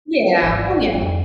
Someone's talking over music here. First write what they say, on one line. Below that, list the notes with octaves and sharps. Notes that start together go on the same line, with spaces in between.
Yeah. Oh yeah,
G#1 D#2 D5
F2